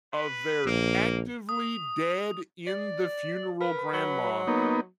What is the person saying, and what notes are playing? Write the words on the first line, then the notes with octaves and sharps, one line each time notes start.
of their actively dead in the funeral grandma.
B4
A#1 A#3
D#6
D5
A#4 B4
F#3
A#3 B3 D#4